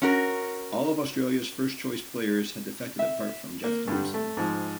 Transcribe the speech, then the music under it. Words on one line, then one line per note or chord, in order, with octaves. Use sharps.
All of Australia's first-choice players had defected apart from Jeff Thomson.
C#4 F#4 A#4
E5
A#3
G2 D3 G3
A3
G#2 F3